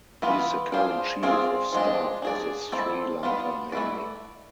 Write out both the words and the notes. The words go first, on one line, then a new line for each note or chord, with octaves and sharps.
He is the current Chief of Staff of the Sri Lanka Navy.
E3 B3 F4 B4
D4 F4 G#4 C5
C4 F4 G#4 D5
F3 G#3 D4
D4 G#4 D5
C4 E4 A4 D5
B3 D4 F4 B4
A3 E4 B4 D5